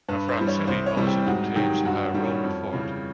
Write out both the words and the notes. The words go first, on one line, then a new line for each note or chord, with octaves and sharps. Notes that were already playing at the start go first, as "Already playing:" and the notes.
Mafraq city also contains a Roman fort.
G2 B4
C5
E3 G3
C#5
C2 C5
C#5
C3 E3 G3
G4
G#2 F#4
D#3 F#3 G4
G2 F#4
C#4
D#3 G3
C#4
F2
C#3 E3 G3